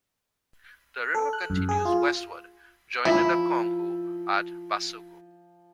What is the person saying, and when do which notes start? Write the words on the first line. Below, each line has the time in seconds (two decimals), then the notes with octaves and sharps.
The river continues westward, joining the Congo at Basoko.
1.14 A4
1.33 F#6
1.50 F#2
1.69 G#4
1.85 F4
3.05 F3 E4